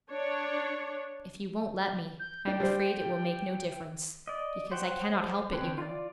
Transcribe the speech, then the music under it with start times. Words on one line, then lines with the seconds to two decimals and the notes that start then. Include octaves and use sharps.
'If you won't let me, I am afraid it will make no difference, because I cannot help it, you know.
0.11 D4 C#5
2.19 G6
2.47 D4 G5
2.60 G3 C5
4.27 D5 D#5
4.72 C5 C#5 F#5 G5
5.52 D3 C4 B4 C#5 G5
5.78 F4 D5